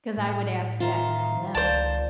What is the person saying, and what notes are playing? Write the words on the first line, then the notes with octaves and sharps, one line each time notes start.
'Cause I would ask that from them.
A2
D#3 F4 C5 E5 A#5
C#2 C5 D5 F5 A5